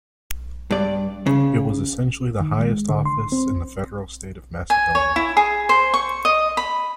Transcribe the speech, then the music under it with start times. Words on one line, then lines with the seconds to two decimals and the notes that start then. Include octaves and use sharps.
It was essentially the highest office in the Federal State of Macedonia.
0.71 G2 D5
1.26 C#3
2.40 D#3
2.58 G#3
2.89 D3
3.06 C6
3.32 C4
4.70 G#5
4.95 C#5
5.16 E4
5.37 G#4
5.69 C5
5.94 C#6
6.25 D#5
6.57 B5